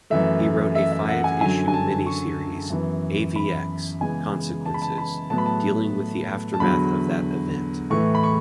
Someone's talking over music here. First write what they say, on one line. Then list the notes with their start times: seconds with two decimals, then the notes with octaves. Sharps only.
He wrote a five-issue miniseries "AvX: Consequences", dealing with the aftermath of that event.
0.10 F#2 E3 A3 E5
0.75 E5
0.92 E5
1.09 F#5
1.24 G#5
1.41 F#2 D3 F#3 G#5
1.68 G#5
1.74 A5
2.06 C#6
2.70 F#2 E3 B3
3.36 B5
4.01 C#3 E3 G#3 B3 G#5
4.66 A5
4.74 B5
4.82 A5
4.98 B5
5.30 A2 F#3 B3 A5
5.38 B5
5.46 A5
6.54 A5
6.60 E2 D3 F#3 B5
7.90 A2 E3 A3 C#6
8.15 B5
8.24 C#6